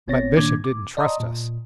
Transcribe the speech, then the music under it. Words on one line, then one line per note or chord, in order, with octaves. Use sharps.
But Bishop didn't trust us.
G1 B3 C4 C#5 A6 A#6
A#2 D#3 A#3 D4 D6 G#6
D6
D5 D#5 A5 A#5 C6 D#6
A#2